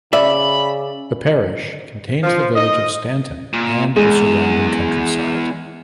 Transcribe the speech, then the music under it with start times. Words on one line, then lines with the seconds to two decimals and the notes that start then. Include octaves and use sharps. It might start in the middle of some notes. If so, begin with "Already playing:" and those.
The parish contains the village of Stanton and the surrounding countryside.
0.13 C#3 D5 E5 B5
2.24 F3
2.56 D#5
3.53 A#2
3.96 E2 G#3